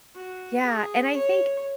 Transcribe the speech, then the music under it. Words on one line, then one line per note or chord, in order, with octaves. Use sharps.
Yeah, and I think
F#4
G#4
C#5